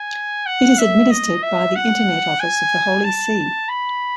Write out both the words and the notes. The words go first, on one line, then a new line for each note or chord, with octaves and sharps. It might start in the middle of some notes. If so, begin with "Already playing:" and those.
It is administered by the Internet Office of the Holy See.
Already playing: G#5
F#5
E5
D#5
E5
F#5
G#5
A5
B5